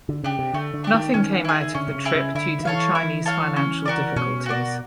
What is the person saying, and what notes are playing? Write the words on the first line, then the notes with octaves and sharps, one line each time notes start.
Nothing came out of the trip due to the Chinese financial difficulties.
D3
C#3 D4 G4
C3
D3 A3
D3
D4 G4
D#3
D#3 C#4
E4 G#4
D3 C#4
C3
C#3
E4 G#4
C#3
D3 E4
D#3
E3 A4 C#5 F5
E4
A4 C#5 F5
C#4
F#4 A#4 D5
B2 C#4
F#4 A#4 D5